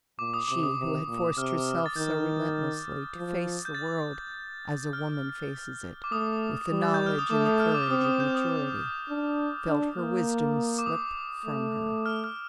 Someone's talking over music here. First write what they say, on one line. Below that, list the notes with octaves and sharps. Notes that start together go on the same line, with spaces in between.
She, who had forced herself so relentlessly to face the world as a woman faces it, with the knowledge and the courage of maturity, felt her wisdom slip from her.
A#2 D6
D#6
C3 D6
D#6
C3
A#2
C3 F6
A6
D#3 G6
F3
G6
A6
F6
D6
A3 D#6
G3
A6
G6
F6
D#6
A3 D6
D#6
F6
D6
C4 D#6
D#6
G6
D#6
D6
D4
D4
A#3
D6
D#6
A3
F6
F6